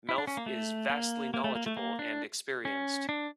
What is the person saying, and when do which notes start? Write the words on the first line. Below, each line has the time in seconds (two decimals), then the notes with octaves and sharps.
Melf is vastly knowledgeable and experienced.
0.09 E4
0.18 D4
0.27 C#4
0.37 A#3
0.46 A3
0.90 A#3
1.34 A#3
1.44 A3
1.55 A#3
1.66 A3
1.77 A#3
1.99 D4
2.65 C#4
3.09 D4